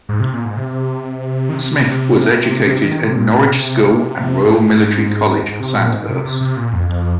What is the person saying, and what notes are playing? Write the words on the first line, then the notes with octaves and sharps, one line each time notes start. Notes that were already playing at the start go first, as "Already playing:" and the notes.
Smith was educated at Norwich School and Royal Military College, Sandhurst.
G#2
C3
A#2
G#2
C3
D#3
C3
C3
D#3
C3
A#2
A#2
C3
G#2
G#2
C3
A#2
G#2
C3
C3
C3
A#2
F2
F2